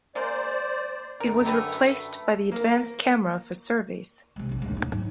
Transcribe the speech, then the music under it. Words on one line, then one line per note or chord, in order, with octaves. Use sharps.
It was replaced by the Advanced Camera for Surveys.
G#3 A#3 C5 D5
F#2 D3 A#4
A3 G4 B4
A#3
C3 G#3
E1 A#1
D1 G#3
D#4
G#2 F#3